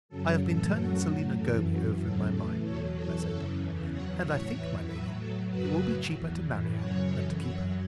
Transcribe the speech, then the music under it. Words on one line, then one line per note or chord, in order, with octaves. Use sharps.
"I have been turning Selina Goby over in my mind," I said, "and I think, my lady, it will be cheaper to marry her than to keep her."
F#2 C#3 F#3 A4
A2 E3 A4
F#2 F#3 F#4
A2 F#3
F#2 E3 A4
F#2 E3 F#4
E2 C#3 F#3 A4
A2 E3 A4
E2 B2 F#3 A4 C#5
E2 E3 A4 C#5
F#2 C#3 E3 A4 C#5
E2 C#3 E3
E2 C#3 F#3 C#5 F#5
A2 E3 C#5 F#5
E2 E3 B4 E5
A2 F#3 B4 E5
A2 F#3 A4
F#2 C#3 F#3 F#4 B4
A2 F#3
E2 E3
A2 E3
F#2 C#3 F#3 C#5 F#5
F#2 E3 A4
F#2 F#3 C#5 F#5